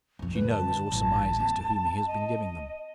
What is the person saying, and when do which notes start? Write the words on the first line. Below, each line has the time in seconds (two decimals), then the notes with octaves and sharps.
She knows, or surmises, to whom he has been giving them.
0.19 D#1 F2
0.35 D3 G3 B4
0.51 A5
0.92 A1 A2
1.40 C4
2.07 D#5